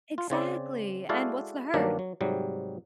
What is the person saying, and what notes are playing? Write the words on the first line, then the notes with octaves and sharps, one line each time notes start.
Exactly, and what's the hurt?
F4
C#3 C4 D5
G#3 E4 F#4 A4 D5 F5
G2 D#3 F#3 A#3 D4
F#3
G#2 C3 F#3 G3